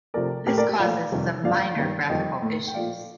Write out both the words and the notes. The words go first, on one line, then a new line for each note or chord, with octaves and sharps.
This causes some minor graphical issues.
C3 F3 A3 A#4 D5
A2 A3 G4 A#4
A#4 D5
G4
A#2 F3 A3 D5 F5
F2 C3 D#3 G3
G2 D3 F3 A3 D5 F5
G2 D#3 G3
F2 D#3 G3 D#5 G5
A2 A3
G5
A#2 F3 A3 D5 F5